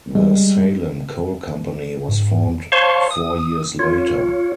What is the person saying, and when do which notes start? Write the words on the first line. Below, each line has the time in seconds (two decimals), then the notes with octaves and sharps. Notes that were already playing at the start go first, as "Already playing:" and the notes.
The Salem Coal Company was formed four years later.
0.15 G3 G#3
2.08 G#2
2.72 C5 C#5 F5 A5 C6 C#6
3.11 D#6
3.79 F4 C#5